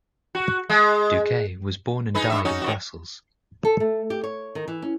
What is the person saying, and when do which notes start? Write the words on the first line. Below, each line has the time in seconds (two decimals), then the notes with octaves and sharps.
Doucet was born and died in Brussels.
0.35 F#4
0.70 G#3
2.15 D#4 G#4 B4
2.30 G2 E5
2.45 C#4 D#4 F#4
2.62 D#3 E3 F#4
3.65 A4
3.80 A3
4.10 G4
4.24 C#5
4.55 D#3
4.68 E3
4.82 C#4